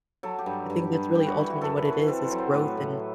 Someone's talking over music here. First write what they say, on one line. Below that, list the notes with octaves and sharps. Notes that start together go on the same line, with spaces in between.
I think that's really ultimately what it is, is growth, and
F#3 A4
G4
G2
G2
G2
G3 G4
F#4
E3 E4
F#4
F#2 A4
B4
E3
B4
C4 A4
C5
F#3
C5
A2 B4
A2